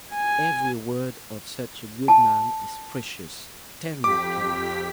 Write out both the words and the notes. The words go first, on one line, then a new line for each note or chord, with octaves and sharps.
"Every word of such a good man is precious: tell me, please."
G#5
A5
F2 G4 D6 B6